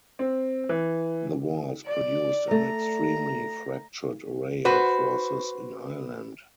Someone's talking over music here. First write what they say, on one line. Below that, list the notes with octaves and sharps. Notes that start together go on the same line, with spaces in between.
The wars produced an extremely fractured array of forces in Ireland.
C4
E3
D5
A3 A#5
F#4 B4 C5